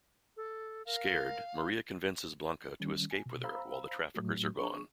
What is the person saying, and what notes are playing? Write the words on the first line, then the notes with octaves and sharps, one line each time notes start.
Scared, Maria convinces Blanca to escape with her while the traffickers are gone.
A4
A#4 F5
D#3 G3 C#4
G#5
B2
C5 F5 A#5 B5 E6
A2 F#3 A3 F#4
D4 G#4 C#6